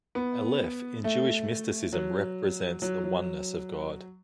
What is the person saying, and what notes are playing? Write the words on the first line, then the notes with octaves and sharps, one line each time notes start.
Aleph, in Jewish mysticism, represents the oneness of God.
B3
A3
F#3
F#3
F#3